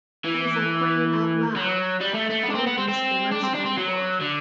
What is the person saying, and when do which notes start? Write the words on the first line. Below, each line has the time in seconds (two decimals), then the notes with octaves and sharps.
And for crying out loud, don't use erasable bond.
0.24 E3
1.56 F#3
2.01 G3
2.14 A3
2.30 A3
2.44 B3
2.50 D4
2.55 C4
2.67 B3
2.78 C4
2.89 C4
3.32 D4
3.43 C4
3.54 D4
3.65 C4
3.77 F#3
4.20 D3